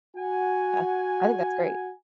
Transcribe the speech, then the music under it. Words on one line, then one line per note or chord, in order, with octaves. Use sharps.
Uh I think that's great.
F#4 F#5 G#5